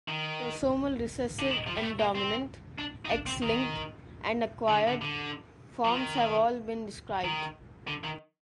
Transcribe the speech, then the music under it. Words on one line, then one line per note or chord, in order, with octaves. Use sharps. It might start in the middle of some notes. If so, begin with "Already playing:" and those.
Autosomal recessive and dominant, X-linked, and acquired forms have all been described.
D#3
D3
D#3
F3
G3
A3
A#3
C4
D4
D#4
D4
C4
D#3
D3
D3
D3
F3
D#3
D#3
D3
D#3